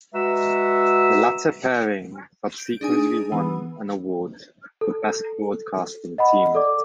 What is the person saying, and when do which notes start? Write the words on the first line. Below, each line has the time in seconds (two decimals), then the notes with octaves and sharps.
The latter pairing subsequently won an award for best broadcasting team.
0.14 G#3 F#4 B4 E5 A#5 E6
2.58 G6 D7
2.81 D4 D#4 G#4 G#5
3.32 E3 B3
4.81 A4
6.18 D#5 F#5 B5
6.55 A4 D5 D6